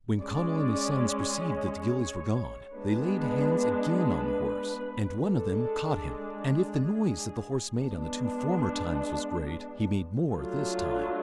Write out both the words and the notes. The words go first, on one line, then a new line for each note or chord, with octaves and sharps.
When Conall and his sons perceived that the gillies were gone, they laid hands again on the horse, and one of them caught him; and if the noise that the horse made on the two former times was great, he made more this time.
G#3 C#4 D5
C#5
G#3 B3 D4 B4
B4
G#3 D4 A4
G#4
G#3 B3 D4
F#3 A3 D4 F4